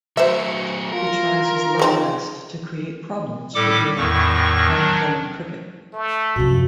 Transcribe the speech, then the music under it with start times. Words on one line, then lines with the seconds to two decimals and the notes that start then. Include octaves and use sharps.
He tries his level best to create problems for Virat while playing cricket.
0.17 F#3 A3 C5 E5
0.92 F4 A#4
1.79 G#3 C4 D#4
3.54 A2 G3 A4 D6
3.97 E2 A2 D#3 C#6
4.68 D#3 F#3 D4
5.93 A3
6.36 F#2 C3 F3 F#4